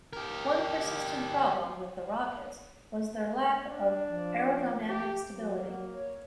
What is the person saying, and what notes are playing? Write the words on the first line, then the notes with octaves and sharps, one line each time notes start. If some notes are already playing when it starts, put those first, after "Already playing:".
One persistent problem with the rockets was their lack of aerodynamic stability.
G4 A#4
D4
F3
G4
F#3 A#3
C#5